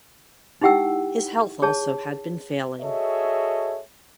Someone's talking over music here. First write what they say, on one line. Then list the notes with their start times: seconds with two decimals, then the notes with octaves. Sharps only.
His health also had been failing.
0.62 D#4 E4 G4 F#5 G5 E6
1.62 G#4 C#5 A5
2.81 F#4 G#4 A4 C#5 D#5 E5